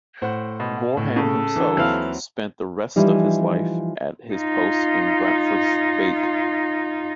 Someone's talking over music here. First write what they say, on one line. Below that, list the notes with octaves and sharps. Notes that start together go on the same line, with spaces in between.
Gorham himself spent the rest of his life at his post in Brampford Speke.
A2 C5 F#5
B2
A2
C#3 A4
D3 E3
D#2 E3 F#3 C4 F5
E3 F3 G3 D#4
D#4 F4